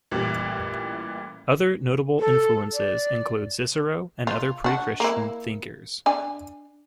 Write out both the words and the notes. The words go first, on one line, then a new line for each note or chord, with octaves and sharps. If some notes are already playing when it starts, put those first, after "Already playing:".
Other notable influences include Cicero and other Pre-Christian thinkers.
A1 A#2 E3 G3
A4
D5
F4
D4 F#4
A#3 E4
D4 G#5